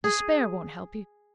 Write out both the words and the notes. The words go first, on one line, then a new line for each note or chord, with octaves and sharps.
Despair won't help you.
G#4